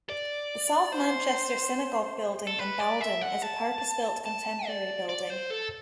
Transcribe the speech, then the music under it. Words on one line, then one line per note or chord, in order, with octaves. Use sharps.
The South Manchester Synagogue building in Bowdon is a purpose-built contemporary building.
D5
C5
A4
B4
D5
E5
F#5
A5
A5
D5
D5
C5
A4